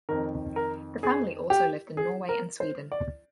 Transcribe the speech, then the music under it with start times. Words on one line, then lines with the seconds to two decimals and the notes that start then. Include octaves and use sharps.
The family also lived in Norway and Sweden.
0.09 F2 D#3 A#4
0.56 A#4
1.03 G#4
1.50 G4
1.97 G#4
2.29 A#4
2.60 C5
2.92 D5